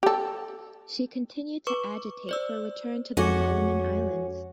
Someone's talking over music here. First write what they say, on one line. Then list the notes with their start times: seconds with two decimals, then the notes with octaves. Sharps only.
She continued to agitate for a return to the Solomon Islands.
0.03 G4 A4
1.67 B4 C#6 D6
2.29 C5 D5 E6
3.17 F2 F3 G#3 C#4 F#4 A4 D6 C#7